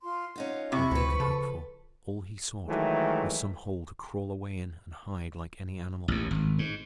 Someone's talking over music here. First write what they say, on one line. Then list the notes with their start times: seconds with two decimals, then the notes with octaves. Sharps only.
All he could hope for, all he sought, was some hole to crawl away in and hide like any animal.
0.02 F4 C6
0.36 C#4 D#4 F4 F#5
0.72 C3 E4 B5 C#6
0.91 D2 F3 B4
1.20 C#3 A4
2.67 D#3 E3 F#3 G#3 A3
6.08 A1 D#2
6.31 G#1
6.59 G#2